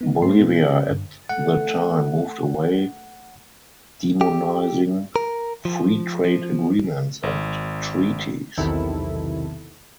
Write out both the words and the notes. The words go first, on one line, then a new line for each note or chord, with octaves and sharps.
Bolivia at the time moved away demonizing free trade agreements and treaties.
B3 D#4
G#2 A3 C5 C6 C7
B2 B3
C#4 G4
G2 D3
A3 F#5
G4
A#4
F3
F3
G#1
B1 E2 C3 D#3 E4 A4